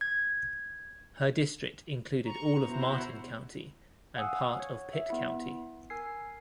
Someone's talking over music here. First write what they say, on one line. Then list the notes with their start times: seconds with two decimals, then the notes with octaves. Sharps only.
Her district included all of Martin County and part of Pitt County.
0.01 G#6
2.25 A#5 C#6
2.65 B2 E4 F#4 C5
4.16 F5 F#5 G#5 D#6 E6
4.60 C#5
4.93 E5
5.10 B3 E4
5.90 A#4 G#5 E6 G#6 C7